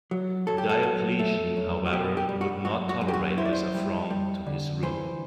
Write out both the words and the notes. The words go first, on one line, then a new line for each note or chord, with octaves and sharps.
Diocletian, however, would not tolerate this affront to his rule.
F#3
F#3 A4
G4
A4
F#3
A3
F#2
F#4
B2 G4
G4
G3
F#4
F#2 F#4
F#4
F#2
G4
F#4
E4 C5
D5
C5
G3
G3
D3
E3 C5